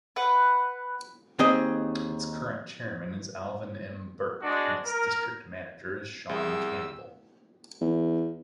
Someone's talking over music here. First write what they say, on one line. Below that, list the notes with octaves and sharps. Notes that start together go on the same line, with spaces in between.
Its current chairman is Alvin M. Berk, and its district manager is Shawn Campbell.
B4 F#5
D#2 C4 G#4 D#5
G#3 D4 F#4
A#4
C2 G4 G#4 E6
E2